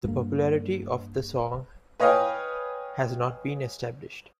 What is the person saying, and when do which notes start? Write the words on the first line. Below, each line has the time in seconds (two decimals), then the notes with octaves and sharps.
The popularity of the song has not been established.
0.04 G2 A#3
2.00 B4 C#5 D#5 F5 G5 G#5